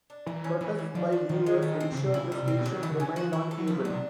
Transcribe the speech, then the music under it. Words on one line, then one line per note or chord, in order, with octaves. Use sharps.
Protests by viewers ensured the station remained on cable.
D4
E3 A#3
C#4
E3 C#4
F#4
F3 D4
F#4
D#3 F3
G#3
A3
C4
C3
C#3 C4
C3
C#3 E4
D3
C3 G3
C3
C4
B2
D3 F#3
D#3
E3 A3
D3
C#3 C#4
F3 F#4
E3 E4
A4
F#3
F3 B3
F#3
C3 D4